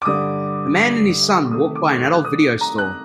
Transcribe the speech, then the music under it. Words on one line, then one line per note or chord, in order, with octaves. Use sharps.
A man and his son walk by an adult video store.
D6
G2 D3 G3 D#6
C3 D#3 A3 D#6
D6
F#6
D#6
A#5
F#6